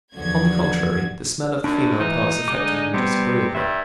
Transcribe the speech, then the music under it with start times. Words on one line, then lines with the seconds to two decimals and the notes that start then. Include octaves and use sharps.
On the contrary, the smell of the female parts affected him disagreeably.
0.13 E2 D3 F3 F#4 G#6
1.64 F#2 D4
2.00 E3 D#4
2.48 D3 G#3 D6
2.94 C3 G3 B3
3.55 G2 E5